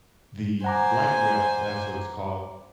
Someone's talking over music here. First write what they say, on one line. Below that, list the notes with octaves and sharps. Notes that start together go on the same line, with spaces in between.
the Light Rail that's what it's called,
C5 F#5 G#5 A#5 D6